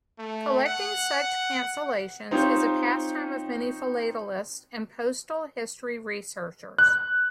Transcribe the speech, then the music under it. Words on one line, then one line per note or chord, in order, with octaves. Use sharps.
Collecting such cancellations is a pastime of many philatelists and postal history researchers.
A3
F#5
C4 D#4 F4 G4 C5 C#5
F#6